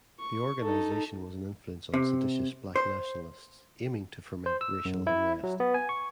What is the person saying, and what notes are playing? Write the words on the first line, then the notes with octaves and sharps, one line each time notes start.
The organization was an influence on seditious black nationalists, aiming to foment racial unrest.
C#6
D#4 A4
C3
C5
C5
E6
F#2
E4
F#3
B3
G#5
C#6